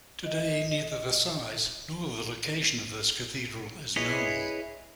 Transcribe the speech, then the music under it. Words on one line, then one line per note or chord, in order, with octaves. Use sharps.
Today, neither the size nor the location of this cathedral is known.
D#5
E4 G#4 B4 C#5 D#5